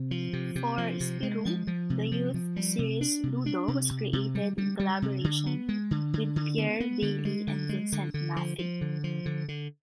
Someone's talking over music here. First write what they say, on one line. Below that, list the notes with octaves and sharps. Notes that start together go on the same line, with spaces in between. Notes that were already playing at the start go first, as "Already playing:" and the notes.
For "Spirou", the youth series "Ludo" was created in collaboration with Pierre Bailly and Vincent Mathy.
Already playing: C3
F3
C3
C3
F3
C3
G#3
F3
F3
C3
F3
F3
G3
C3
D4
C3
D4
C3
C3
C3
G3
G3
G3
C3
D3
B3
G#3
D3
D3
D3
B3
B3
D3
G#3
D3
G#3
D3
D3
F3
F3
D3
F3
D3
D3